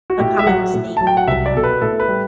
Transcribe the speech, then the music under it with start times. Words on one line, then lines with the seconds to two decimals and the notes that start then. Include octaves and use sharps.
a common mistake could be
0.10 F#4
0.20 A2 G4
0.39 E5
0.46 F#3 F#5
0.74 A2
0.97 F#3 A5
1.07 G5
1.17 F#5
1.27 C2 E5
1.46 D5
1.55 B2 A4
1.63 B4
1.81 A2 A4
2.00 B4
2.08 G3